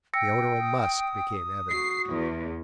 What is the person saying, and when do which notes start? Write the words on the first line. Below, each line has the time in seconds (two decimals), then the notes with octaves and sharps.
The odor of musk became evident.
0.14 G5 E6 A#6 C#7
0.60 D#6
1.71 F#4 C7
2.11 E2